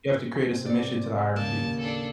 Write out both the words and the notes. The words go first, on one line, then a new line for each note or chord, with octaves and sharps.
you have to create a submission to the IRB.
C3 C4
D5
D#2 A2 C#3 A#3 A5
D4 A4